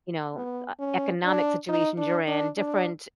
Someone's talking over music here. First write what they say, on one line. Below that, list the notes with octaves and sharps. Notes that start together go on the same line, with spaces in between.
you know, m e economic situations you're in, y ge different
B3
C#4
D4
D#4
D4
D4
D4